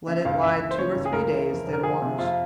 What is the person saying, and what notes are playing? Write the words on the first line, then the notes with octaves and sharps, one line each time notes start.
Let it lie two or three days, then wash.
C#3 E5
C#2 F5
C#2 E5
E3
C5
C#3 C#5
C#2
G#4
C#2 A#4
E3
F2
F1
A#4
F3 G#4
C3
F2 F4